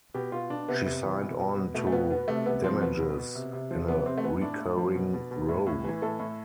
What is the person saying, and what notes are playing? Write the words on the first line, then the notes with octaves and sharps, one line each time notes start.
She signed on to "Damages" in a recurring role.
B2 G4
B2 F4
B2 D4
C3 B3
C3
E3
B2
B2
B2
B2 A3
A3
B2 B3
B2 B3
C3 A3
C3 B3
F3 C4
B2 B3
B2
B2
C3
C3
F3
C3 B3
C3 C4
A3
E3 B3
A2 D4
A2
F3
B2
B2
B2
A2
A2
E3
A2 A4
A2